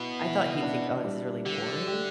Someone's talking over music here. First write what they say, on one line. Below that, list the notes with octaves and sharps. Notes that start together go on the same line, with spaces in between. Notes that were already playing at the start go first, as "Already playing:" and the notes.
I thought he'd think, "Oh, this is really boring."
Already playing: B2 B3 E4
E3
D4
G3
D3 G4
G4